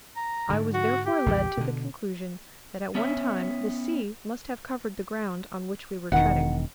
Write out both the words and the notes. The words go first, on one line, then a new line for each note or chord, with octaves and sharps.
I was therefore led to the conclusion that at one time the sea must have covered the ground on which we were treading.
A#5
G#2 D3
F#4
G4
A#1 E2 C#3
B2 D3
B3 C#4 C#5 E5
E1 D#3 F#5